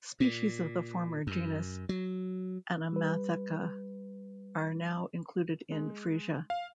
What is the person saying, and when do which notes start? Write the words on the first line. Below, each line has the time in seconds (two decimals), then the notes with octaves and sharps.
Species of the former genus Anomatheca are now included in "Freesia".
0.20 A#2
1.27 F#2
1.89 F#3
2.93 G3 B4
5.72 G#3
6.50 F5